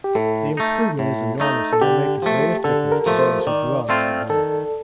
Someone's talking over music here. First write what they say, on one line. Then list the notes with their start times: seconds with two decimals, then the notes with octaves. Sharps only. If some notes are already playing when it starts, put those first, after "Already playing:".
The improvement is enormous and will make the greatest difference to those who dwell near the door.
0.04 G4
0.15 A2 A4
0.57 A3 D#4
0.99 A2
1.40 A3 D#4
1.73 A4
1.81 D3 G4
2.22 F3 A3
2.64 D3 A4
2.92 A#4
3.06 F3 A3
3.19 C5
3.47 D#3 D5
3.89 A3 C4 F4
4.30 D#3 A4